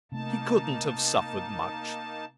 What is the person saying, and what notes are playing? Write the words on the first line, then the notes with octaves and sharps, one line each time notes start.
He couldn't have suffered much.'
C3 A3 A#3 D#4 A5